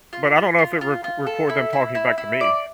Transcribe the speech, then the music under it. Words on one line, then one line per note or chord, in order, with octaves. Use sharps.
but I don't know if it rec record them talking back to me.
F4
F4
F4
F4
F4
A4
E4
E4
E4
E4
D5